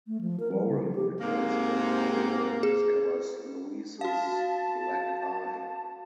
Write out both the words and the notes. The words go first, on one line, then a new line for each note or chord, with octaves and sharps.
Warren returns from a holiday and discovers Louise's black eye.
A3
F3
A#4
G3
C#3
F3
G4
G#2 C3 A#3
G#4
F#4 F5 A5